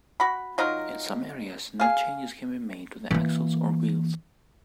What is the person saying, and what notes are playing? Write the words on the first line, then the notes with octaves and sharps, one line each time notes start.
In some areas, no changes can be made to the axles or wheels.
F#4 B5
F#3 D#4 F4 A#4
G#4 F5
E3 A#3